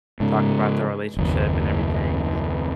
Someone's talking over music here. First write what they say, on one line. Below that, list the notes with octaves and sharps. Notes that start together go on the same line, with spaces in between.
talking about their relationship and everything,
G#2 C#3
F#1 D#2